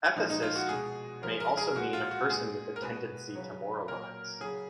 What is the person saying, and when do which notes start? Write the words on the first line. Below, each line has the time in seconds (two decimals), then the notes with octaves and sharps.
"Ethicist" may also mean a person with a tendency to moralize.
0.16 A#2 F3 G#3 D#4
0.30 D#4
0.42 F4
0.56 F#4
0.69 B2 G#3 G#4
1.22 C#3 F3 G#3 A#4
1.40 A#4
1.57 G#4
1.75 A#2 G#3 F#4
1.93 F4
2.11 F#4
2.29 A#2 G#3 G#4
2.76 A#4
2.82 B2 G#3 B4
3.35 C#3 F#3
3.88 A#2 F#3 A#4
4.40 C#3 F#3 G#4